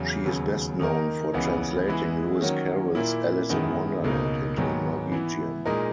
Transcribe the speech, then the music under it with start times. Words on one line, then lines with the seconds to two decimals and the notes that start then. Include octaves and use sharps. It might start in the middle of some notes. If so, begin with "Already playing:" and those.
She is best known for translating Lewis Carroll's "Alice in Wonderland" into Norwegian.
Already playing: E2 C#3 F#3
0.25 D#2 C#3 F#3 B3
0.80 D#3 A#3 D#4 A#4
1.33 C#2 C#3 E3 B3
1.88 E3 G#3 B3 E4 G#4
2.41 D#3 F#3 A#3 C#4 F#4
2.95 A#2 A#3 E4
3.49 F#2 D#3 G#3 B3 E4
4.04 C#2 B2 A#3 D#4
4.58 G#2 D#3 F#3 B3
5.12 E3 B3 E4
5.65 A#2 G#3 D#4 A#4